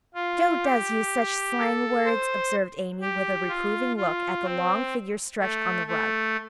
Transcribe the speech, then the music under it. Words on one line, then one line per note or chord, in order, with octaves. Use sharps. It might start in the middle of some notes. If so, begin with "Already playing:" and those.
"Jo does use such slang words!" observed Amy, with a reproving look at the long figure stretched on the rug.
F4
G4
A4
C5
G4
F4
F4
C4
A3
A3